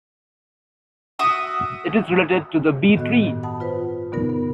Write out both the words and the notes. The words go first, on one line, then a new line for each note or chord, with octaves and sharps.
It is related to the B-tree.
F#4 E5 D#6
A2 D#3 B3 F#4 D#5 F#6
G2 D#3
F#5 A5 B5 D#6
F4 B4 C5
B2 D3 B3 D#4 A#4
G2 B3